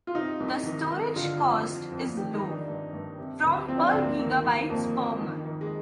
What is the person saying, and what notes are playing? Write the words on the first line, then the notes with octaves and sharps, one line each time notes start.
The storage cost is low, from per gigabytes per month.
F4
C3 D#4
C2
D#3
C2
D3 F4
F2
F3
F2
D#3 G4
D#4
D#3
D4
G2
G2
C3
D2
F3 C4
D4
C4
D2
A#3
D#3 A#3
D#3
F2 A#3
F2
D#3
D#3
G#3